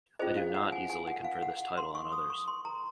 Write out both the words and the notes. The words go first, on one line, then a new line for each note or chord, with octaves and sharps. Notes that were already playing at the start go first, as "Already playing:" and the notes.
I do not easily confer this title on others.
C#4 F4 G#4 C5 D#5
F5
F#5
G#5
G#5
F#5
F5
F#5
C6
C#6
D#6
C#6
C6
A#5